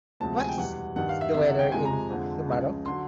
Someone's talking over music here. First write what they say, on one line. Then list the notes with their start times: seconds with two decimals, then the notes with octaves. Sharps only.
What's the weather in Humarock?
0.20 D2 C3 F3 G#3 A5
0.40 G#5
0.49 G5
0.58 E2 B2 G3 F#5
0.96 G2 D#3 G3 F#5
1.09 F5
1.21 E5
1.34 C2 C3 D#3 E5
1.47 F#5
1.59 G5
1.72 F2 C3 F3 G#3 G#5
1.85 A#5
2.10 F2 D3 F3 G#3
2.48 C#2 C#3 F3
2.86 D3 F#3 C6